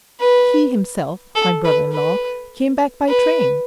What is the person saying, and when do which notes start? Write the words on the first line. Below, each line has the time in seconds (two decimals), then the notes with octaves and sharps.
He himself--my brother-in-law--came back by train.
0.21 B4
1.35 A4
1.65 B4
1.93 B4
3.08 B4